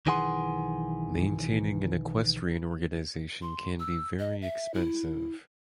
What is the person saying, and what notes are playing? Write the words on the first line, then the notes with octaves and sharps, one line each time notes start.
Maintaining an equestrian organization can be very expensive.
B1 D#3 E3 G#4 F#5 C6
C6
E6
D#5
E5
E4